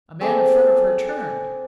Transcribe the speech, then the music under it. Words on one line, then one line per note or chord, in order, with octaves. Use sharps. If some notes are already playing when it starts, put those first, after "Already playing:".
A man in front of her turned.
C4 G#4 A4 D5